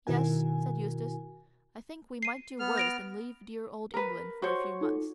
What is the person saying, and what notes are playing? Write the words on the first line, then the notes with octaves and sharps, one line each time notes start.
"Yes," said Eustace, "I think we might do worse than leave dear old England for a few months."
B2 D#3 E4 F#4 A#4 G#5
C7 D#7
B3 F6
A#6 D7 F7
A#4 B4
F#4 C5 C#5
D#4 F4 A4